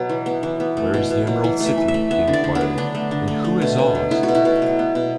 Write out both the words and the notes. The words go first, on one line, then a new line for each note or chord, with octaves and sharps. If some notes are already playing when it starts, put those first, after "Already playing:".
Where is the Emerald City? he enquired; "and who is Oz?"
Already playing: B2 F#3 B3
E3
B3
E3
B3
A3
B2
B2
F#3
E3
A3
E5
E3
E5
A3
B3 E5
D3
D5
D3
B3
F#3
D3 D4
A3
D3
A3
A3
B2
B2
F#3
B3 E4
F#4
B2
E4
B2
F#3
B3
B2